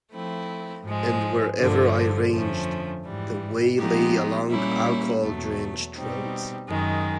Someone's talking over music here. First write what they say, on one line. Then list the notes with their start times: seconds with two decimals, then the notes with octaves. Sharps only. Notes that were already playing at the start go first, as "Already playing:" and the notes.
And wherever I ranged, the way lay along alcohol-drenched roads.
0.13 F3 A3 C4 E4
0.86 G#2 F3 G#3
1.58 G2 D3 F3
2.31 F2 D3 F3 A3 C#4
3.04 G#2 E3 G3
3.77 F3 G#3 B3 D#4 G4
4.50 A#2 G3 A#3 C#4 E4
5.22 E2 B2 F#3 A3
5.95 B2 G3 C4 D#4
6.68 F#2 D#3 G#3